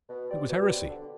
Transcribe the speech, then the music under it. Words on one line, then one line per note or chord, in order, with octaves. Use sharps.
It was heresy.
B2
G3 C4 G4 D5
B2
G3 C4 G4 D5
D3